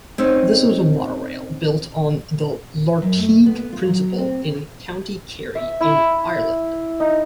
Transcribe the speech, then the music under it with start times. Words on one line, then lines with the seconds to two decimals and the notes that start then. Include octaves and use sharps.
This was a monorail built on the Lartigue principle in County Kerry in Ireland.
0.18 C4 C#4 D#4
3.02 F#2
3.18 A3
3.46 B3
3.73 F4
3.87 F#3
4.18 C4
5.55 E5
5.81 E4
7.00 D#4